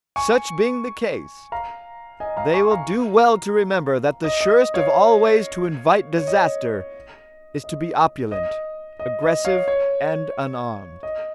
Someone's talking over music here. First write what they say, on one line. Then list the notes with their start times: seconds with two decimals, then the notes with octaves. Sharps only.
Such being the case, they will do well to remember that the surest of all ways to invite disaster is to be opulent, aggressive and unarmed.
0.16 G#5 C#6
1.52 F5 A#5
2.20 D#5 G#5
2.37 F5 A#5
2.54 G#5 C#6
2.71 F5 A#5
4.24 D#5
4.41 D#5
4.74 C#5 F5
6.17 C#5
6.27 D#5
7.64 D#5
8.32 D#5
8.99 D#5
9.23 D#5
9.45 C#5 F5
9.68 C#5
11.03 D#5